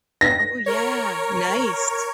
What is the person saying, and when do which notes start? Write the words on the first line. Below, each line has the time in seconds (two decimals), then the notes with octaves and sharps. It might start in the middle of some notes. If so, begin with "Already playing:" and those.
oh yeah, nice.
0.21 A#6
0.66 A#4 C#5